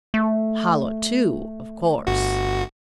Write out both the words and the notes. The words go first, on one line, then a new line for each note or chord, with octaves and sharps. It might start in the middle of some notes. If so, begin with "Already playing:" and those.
"Hollow, too, of course?"
A3
G1 F#4